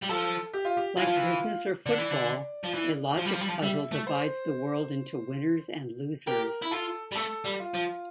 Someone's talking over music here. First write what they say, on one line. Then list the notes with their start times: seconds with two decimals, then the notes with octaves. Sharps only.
Like business or football, a logic puzzle divides the world into winners and losers.
0.03 G3
0.09 F3 A4
0.53 G4
0.65 F4
0.77 G4
0.97 E3 F4
1.07 F3
1.17 E3
1.86 D3 D5
1.98 E3
2.10 D3
2.64 F3
2.74 E3
3.18 F3
3.25 G3
3.33 F3
3.41 G3
3.48 F3
3.62 G3 E5
3.91 A3
4.07 C5
6.27 G4 A#4
6.62 E4
6.71 F4 A4
7.12 G3
7.15 A3 A4
7.45 G3
7.59 F4
7.74 F3